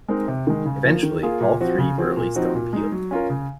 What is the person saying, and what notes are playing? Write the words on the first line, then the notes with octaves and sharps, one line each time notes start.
Eventually, all three were released on appeal.
G#3 C4 D#4 A#4
C3
D#3 G#3
C#3
F3 A#3
D#3
A#3 F4 G#4
A#2
F3 C4 F#4
C#3
F3 C4 F#4
A#2
F3 C4 D#4 F#4
A#2
G#3 D#4
F#3
C#4 F4 A#4
C#3